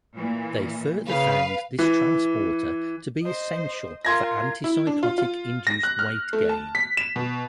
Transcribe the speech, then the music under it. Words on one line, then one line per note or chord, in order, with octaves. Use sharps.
They further found this transporter to be essential for antipsychotic induced weight gain.
A#2 E3
C#3 B4 F5
E3
C5 D#5
F4 A#4 C6 G#6 A#6
E4
D4
F4
F4
A#6
F#6
F6
A3
A5
B6
E7
B2